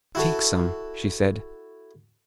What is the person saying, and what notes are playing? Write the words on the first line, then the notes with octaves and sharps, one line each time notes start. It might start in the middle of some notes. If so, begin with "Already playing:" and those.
"Take some," she said.
E4 F#4 A4